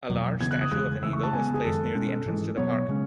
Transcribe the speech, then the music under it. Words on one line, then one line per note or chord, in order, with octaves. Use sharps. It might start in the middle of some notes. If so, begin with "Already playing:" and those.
A large statue of an eagle was placed near the entrance to the park.
E2 B2 F#3
C#3 E3 B3 G#6
F#6
D#6
E2 C#3 E3 G#3 F#6
C#3 E3 A3 E6
C#6
A5
C#3 G#3 B3 G#5
G#4
F#2 D#3 G#3 A4
B2 G#3 C#4
G#2 E3 G#3
B2 F#3 B3 C#5
C#3 G#3 C#4